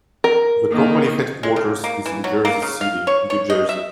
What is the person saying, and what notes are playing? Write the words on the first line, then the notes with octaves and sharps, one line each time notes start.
The company headquarters is in Jersey City, New Jersey.
A#4
D#3 A#3
G#3
C#3
A#3
E3
F#3
A#3
C#3
F5
C#5
C#5
D#5
E5